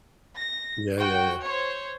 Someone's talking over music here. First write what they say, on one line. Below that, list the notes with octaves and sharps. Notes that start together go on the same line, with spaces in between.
Yeah, yeah, yeah.
A#6
F#4 G5
C5 C#5